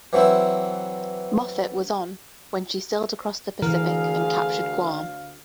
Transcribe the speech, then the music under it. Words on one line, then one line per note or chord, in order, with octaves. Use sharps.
Moffett was on when she sailed across the Pacific and captured Guam.
E3 F#3 C4 E4
D2 E3 G#4 A#4 F5